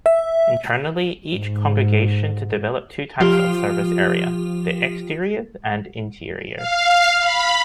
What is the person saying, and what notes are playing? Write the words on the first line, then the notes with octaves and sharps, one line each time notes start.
Internally each congregation to develop two types of service area: the exteriors and interiors.
E5
G#2
F3 F4 G4
F5
B5